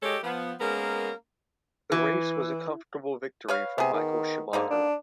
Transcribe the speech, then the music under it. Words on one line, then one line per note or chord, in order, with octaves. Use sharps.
The race was a comfortable victory for Michael Schumacher.
G#3 G4 A4 C#5 D#5
F3 B3
G#3 A#3 B3 C#4 A#4
E3
B4 C#5 F5
C3 B3 G#4
D#3
G#2 D3 A#3 D#4
D4